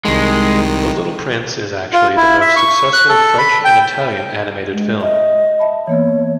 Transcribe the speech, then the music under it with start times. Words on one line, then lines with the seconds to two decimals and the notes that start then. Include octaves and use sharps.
"The Little Prince" is actually the most successful French and Italian animated film.
0.05 C2 D#3 G#3
1.93 F4
2.17 E4
2.41 E5
2.56 C#6
2.93 F#6
3.09 A4
3.38 B5
3.65 G5
4.73 G#3
5.01 D#5 E5
5.59 E5 A5 B5
5.88 E3 A#3 B3 C#5